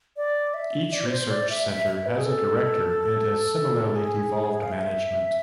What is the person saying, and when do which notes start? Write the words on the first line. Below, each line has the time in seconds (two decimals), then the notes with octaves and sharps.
Each research centre has a director, and has similarly devolved management.
0.17 D5
0.54 E5
0.92 D5
1.06 B4
1.11 C5
1.30 D5
1.50 E5
1.68 E5
1.87 E5
2.06 B4
2.18 G#4
2.25 A4
3.96 G#4
4.63 F5
4.72 E5